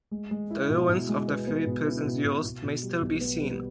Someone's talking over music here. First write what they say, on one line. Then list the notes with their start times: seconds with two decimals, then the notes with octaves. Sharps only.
The ruins of the three prisons used may still be seen.
0.11 G#3
0.31 G#3
0.50 E4
0.70 B2
0.89 B2
1.09 G#3
1.28 B3
1.47 B3
1.67 B2
1.86 E4
2.05 B2
2.25 B2
2.44 B2
2.63 B2
2.83 G3
3.02 B1
3.21 B3
3.41 G3